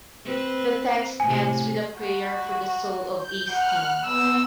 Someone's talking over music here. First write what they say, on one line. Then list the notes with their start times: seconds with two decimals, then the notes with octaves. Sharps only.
The text ends with a prayer for the soul of Eysteinn.
0.25 C4 B4
1.20 A2 C3 G#5
2.00 F#4
3.17 G6
3.50 F#5 F6 F#6
4.05 B3 E6